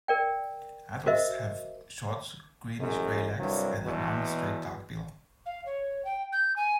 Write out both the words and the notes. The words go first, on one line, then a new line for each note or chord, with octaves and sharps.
Adults have short greenish-grey legs and a long straight dark bill.
A#4 D5 G5
F#4 A#4 C5 D#5 E5
A1 F#2 G#3
C2 G2 F#3
E2 B2
F5
C#5
G5
G6
G#5